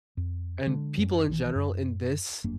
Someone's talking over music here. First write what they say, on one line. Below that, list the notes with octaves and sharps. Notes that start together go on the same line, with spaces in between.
and people in general in this
F2
D3 G#3
F#2
A#1 D#3 E3
F#2
G1 F#2 A#3 D4